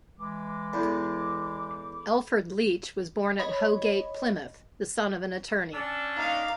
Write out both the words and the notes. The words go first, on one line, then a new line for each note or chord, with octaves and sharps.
Elford Leach was born at Hoe Gate, Plymouth, the son of an attorney.
E3 G#3 D6
E2 A4 B5
C#5 D#5 B5
C#4 D4 E6
A#3 D#4 F5 A#5